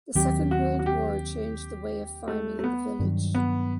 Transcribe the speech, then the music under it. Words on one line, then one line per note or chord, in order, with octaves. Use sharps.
The Second World War changed the way of farming in the village.
D#2 D#3 F#3 C4 G4
F#4
F#4
G4
A3
A3
B3
G2 D#3 F#3
B3